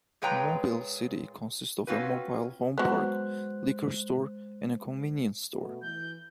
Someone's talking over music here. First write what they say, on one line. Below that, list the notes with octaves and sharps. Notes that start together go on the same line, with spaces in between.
Mobile City consists of a mobile home park, liquor store, and convenience store.
A#2 G#3 B4 C#5 G5 A#5
C4 C#4 F4 F#4 B4
F#3 G#3 B3 C5 F#6
B2 A3
E3 G6